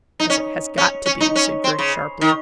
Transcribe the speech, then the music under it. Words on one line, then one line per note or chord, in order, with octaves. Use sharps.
"As it has got to be," said Griggs sharply.
D#4
C#4
C#4
C#4
D#4
C#4
C4
C#3
D#3